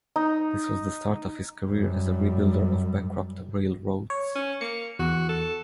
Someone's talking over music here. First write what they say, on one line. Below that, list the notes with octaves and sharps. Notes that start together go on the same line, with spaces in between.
This was the start of his career as a rebuilder of bankrupt railroads.
D#4
F#2 G3
C#5
C#4
A#3 C#7
E2 F#4
A4